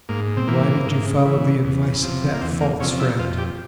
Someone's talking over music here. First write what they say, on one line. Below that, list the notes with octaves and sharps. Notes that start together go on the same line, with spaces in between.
"And why did you follow the advice of that false friend?"
G#2 A#3
C4
E3 A#3
G#2
E3
E2
C3 F3
A#3
E2 C4
A#3
C3 F3 C#4
E4
F2 F4
G4